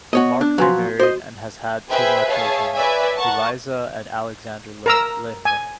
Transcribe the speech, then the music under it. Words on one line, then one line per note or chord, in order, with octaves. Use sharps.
Mark remarried and has had two more children, Eliza and Alexander Lehner.
B3 F#4 C#5 D#5
D4
F3 F#3 B4 G#5 C6
F#4 C5 D#5
G#4 B4 C5 E5 G5 G#5
G#4 C#5 E5 F5 A5
B4 C#5 D5 E5 G#5
A#4 F#5 A5 C#6
A#4 A#5 E6
G#5